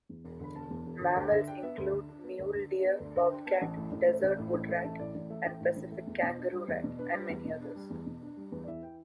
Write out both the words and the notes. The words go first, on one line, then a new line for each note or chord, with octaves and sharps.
Mammals include mule deer, bobcat, desert woodrat, and Pacific kangaroo rat, and many others.
E2
E1
D3 B5
E1 A5
E2
E1
D3
D2 G5
D3 E5
D4 G5
B3 E5
D2
D3
D4
B3
D2
D3
D4
B3
D2 D5
D3 E5
D4 G5
B3 A5
A1
A2
A1
A3
A1
A2
A1
A3
A1 A5
A2 D5
A1 D5
A3 E5
A1 G5
A2
A1
A3
E2
B2
D4
G3
E2 D5
B2
D4 B4
G3
E2
B2
D4
G3
E2
B2
D4
G3
E2 B4
D5
E3 E5
G5